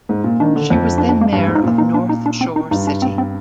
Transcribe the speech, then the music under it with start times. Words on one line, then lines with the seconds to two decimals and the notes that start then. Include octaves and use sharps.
She was then mayor of North Shore City.
0.09 G#2
0.24 A#2
0.40 D#3 D4
0.56 D3
0.70 F2
0.98 D4
1.09 D4
1.21 A#3
1.32 G2 D4
1.48 G#2
1.55 D#4
1.64 A#2
1.78 D#4
1.94 D4
2.09 D#4
2.26 D4
2.41 C4
2.56 D#4
2.71 G2 D#4
2.87 D4
3.02 C4
3.18 C4